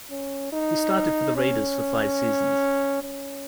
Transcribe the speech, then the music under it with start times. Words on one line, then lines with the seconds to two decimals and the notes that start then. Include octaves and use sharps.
He started for the Raiders for five seasons.
0.11 C#4
0.53 D#4
1.36 C#4
3.02 C#4